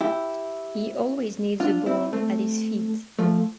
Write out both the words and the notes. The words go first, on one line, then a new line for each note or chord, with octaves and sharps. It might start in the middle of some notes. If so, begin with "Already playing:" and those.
He always needs a ball at his feet.
E4 G4
D4 F4
C4 E4
A3 C4
F3 A3